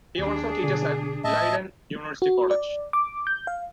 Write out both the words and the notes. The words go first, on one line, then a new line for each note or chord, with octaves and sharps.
He also teaches at Leiden University College.
D#2 D4 G#4
B2 D3
A2 D#5 E5 A5
F#4
D5
D6
G6
F5